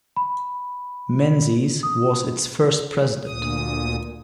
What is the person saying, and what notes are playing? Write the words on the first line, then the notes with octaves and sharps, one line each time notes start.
Menzies was its first President.
B5
D#6
D2 A#2 D#6